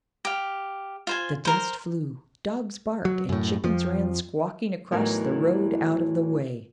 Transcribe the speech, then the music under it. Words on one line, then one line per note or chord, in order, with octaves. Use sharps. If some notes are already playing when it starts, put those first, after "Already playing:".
The dust flew, dogs barked, and chickens ran squawking across the road out of the way.
G4 F5
F4 C5 G#5
A#4 C5
F#3
F#2 A2
F2 F3
E2 A2 E3 F#3 D#4 A#4